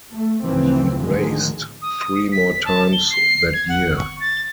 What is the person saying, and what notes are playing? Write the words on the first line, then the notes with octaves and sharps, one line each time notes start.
He raced three more times that year.
A3
D2 C#3 E3 F3 C4
D2 A2 D3 D#3 F3 G#3
D#6
B6
A5
G7
C7
G#6
F#5
C#6
A6